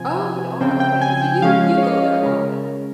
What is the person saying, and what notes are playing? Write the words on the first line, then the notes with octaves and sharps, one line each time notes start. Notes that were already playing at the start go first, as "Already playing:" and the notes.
Oh, they are. Okay. So, you you go there a lot then?
Already playing: C3 F3 C4 G#5
C#3 F3 C4 G5
G5
G#5
G5
F3 G#3 C#4 F5
C#5
D#5
C#3 G#3 C#4 A#4